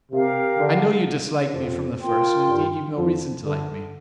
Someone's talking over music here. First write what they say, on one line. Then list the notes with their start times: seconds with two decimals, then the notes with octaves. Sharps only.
I know you disliked me from the first and indeed you've no reason to like me.
0.11 C3 G4 A#4 F5
0.58 D3
1.53 F2 F3
2.01 F4 A#4 G5 C6
2.49 G2 G3
2.96 F2 F3
3.44 D3